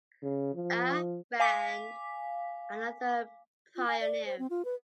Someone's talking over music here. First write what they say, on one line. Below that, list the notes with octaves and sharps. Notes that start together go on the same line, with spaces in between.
A. Rand, another pioneer.
C#3
F3
F5 G#5 D6 B6
F4
G#5
D5
C5
C4
F4
B4